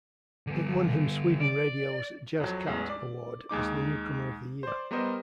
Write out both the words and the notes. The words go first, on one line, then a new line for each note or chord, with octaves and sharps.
It won him Sweden Radio's Jazz Cat award as the newcomer of the year.
D3 G3
D5
F2 F#3
A1 E2 G#3
D5
D#2 G#3 D#4 D6
C5 D5
G3 B3 A#4 C5 D#5